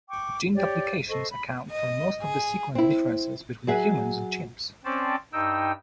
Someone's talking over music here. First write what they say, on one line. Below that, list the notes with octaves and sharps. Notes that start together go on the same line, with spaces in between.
Gene duplications account for most of the sequence differences between humans and chimps.
G5 C#6 D6
G4 C#5 D5
A4 C5 D#5 C#6
B5
D#5
G#4
C4 E4
F#3 G#4 E5 F#5
C4 C#4 C5 D5 G5 A5
G2 D#4 G5 E6